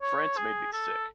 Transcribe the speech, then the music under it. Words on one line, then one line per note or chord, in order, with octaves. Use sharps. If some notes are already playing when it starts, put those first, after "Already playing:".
France made me sick.
C#5
G#4
A4